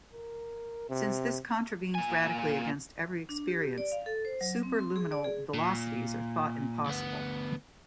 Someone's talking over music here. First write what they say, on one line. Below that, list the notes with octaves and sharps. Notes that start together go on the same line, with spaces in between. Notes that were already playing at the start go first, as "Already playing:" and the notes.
Since this contravenes radically against every experience, superluminal velocities are thought impossible.
A#4
C3
A#2 G#5
D4
G4
D5
F5
A4
C5
F#3
C4
C6
G#4
D5
G#4
A#2
D2 B3